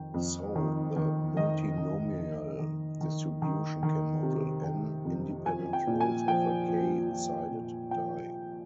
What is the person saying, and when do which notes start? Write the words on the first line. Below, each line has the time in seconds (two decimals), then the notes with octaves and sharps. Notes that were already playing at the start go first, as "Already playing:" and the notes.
So the multinomial distribution can model "n" independent rolls of a "k" sided die.
Already playing: F2 D#3 G5
0.14 F2
0.56 D#3
0.96 D#3
1.37 D#3 D#5
1.78 D#3
2.19 D#3
2.59 D#3
3.01 D#3
3.42 D#3
3.83 D#3
4.23 C3
4.64 D#3 G5
5.05 F2
5.46 F3 G#5
5.73 G5
5.87 A#2
6.01 G#5
6.28 F3 G5
6.68 F3
7.10 F3
7.51 A#2
7.91 F3 G5